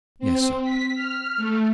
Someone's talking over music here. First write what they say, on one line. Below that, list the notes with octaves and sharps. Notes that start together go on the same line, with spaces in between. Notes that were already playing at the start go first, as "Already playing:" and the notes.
"Yes, sir."
C4
B6
F6
A3